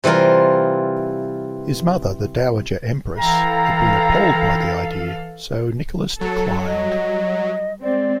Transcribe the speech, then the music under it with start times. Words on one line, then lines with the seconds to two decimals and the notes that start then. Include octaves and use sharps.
His mother, the dowager empress, had been appalled by the idea, so Nicholas declined.
0.04 C3 E3 G3 F4 A#4
3.19 E3 E4 A4 F5 G5 A#5
6.21 F#3 A4
6.66 G3 D#5
7.82 G#3 C4 D5